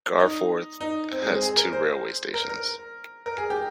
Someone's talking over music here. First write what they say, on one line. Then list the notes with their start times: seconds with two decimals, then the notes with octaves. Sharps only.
Garforth has two railway stations.
0.20 D#4
0.81 D#4
1.11 C4
1.22 G#3
1.32 C4
1.42 G#4
1.57 A#4
1.73 C5
2.34 A#4
2.49 A#4
3.26 A#4
3.38 G#4
3.50 G4